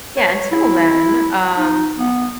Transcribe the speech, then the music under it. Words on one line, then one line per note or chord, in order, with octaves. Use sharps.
Yeah, until then, um
C#5
E4
D#4
B3